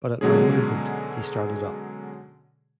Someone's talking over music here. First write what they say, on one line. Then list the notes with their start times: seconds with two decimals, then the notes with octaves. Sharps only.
But at my movement, he started up.
0.21 B2 D3 F#3 G#3 C#4 G#4